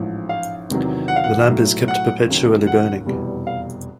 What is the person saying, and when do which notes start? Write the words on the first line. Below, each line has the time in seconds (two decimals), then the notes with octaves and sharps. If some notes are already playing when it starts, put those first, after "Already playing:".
The lamp is kept perpetually burning.
Already playing: A1 G#2 F3
0.29 F5
0.70 E2 C3 D#3 F#3
1.08 F#5
1.16 F5
1.24 F#5
1.48 B1 A2 F#3
1.88 F#5
2.28 D#2 C#3 F#3
2.67 F#5
3.06 F1 E2 B2 G3
3.47 F5